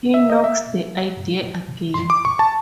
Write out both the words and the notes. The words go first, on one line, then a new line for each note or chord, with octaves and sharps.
He knocks the idea again.
E5
D#5
E5
C6
D6
C#6
A5